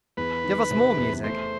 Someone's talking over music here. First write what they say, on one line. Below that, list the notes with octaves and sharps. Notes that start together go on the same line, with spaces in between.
Give us more music.
E2 B4
D#3
C3
E2
A3 C5